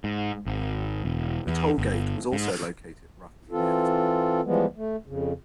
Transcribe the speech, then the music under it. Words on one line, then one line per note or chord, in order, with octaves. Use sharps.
The toll gate was also located roughly near this building.
G#2
G#1
E1
E2
G1
G#2
E3 C4 F4 A4
E3 F3 G3 G#3 B3
A3
F2 C#3